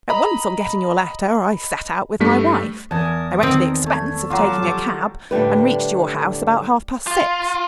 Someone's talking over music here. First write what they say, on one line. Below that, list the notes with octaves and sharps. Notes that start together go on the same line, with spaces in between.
At once on getting your letter I set out with my wife, I went to the expense of taking a cab, and reached your house about half-past six.
D#5 A#5 B5
G2 G3 A3 B6
E2 A#4 G#5 A5 D#6
D#3 C4
A3 G#6
F#3 F4 A5 D6
G3
A2 D3 G3 B4
F4